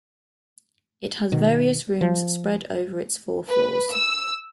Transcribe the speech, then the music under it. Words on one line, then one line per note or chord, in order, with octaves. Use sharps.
It has various rooms spread over its four floors.
B2 D#3
F3
B4
E6